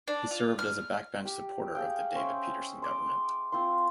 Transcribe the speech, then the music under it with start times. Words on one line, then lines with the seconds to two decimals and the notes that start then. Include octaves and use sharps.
He served as a backbench supporter of the David Peterson government.
0.08 D4
0.31 F4
0.59 F6
1.25 G4
1.75 G#4 F5 G5
2.14 C#4 C5 E5
2.82 C6 D6
3.52 C4 F4 F5 C6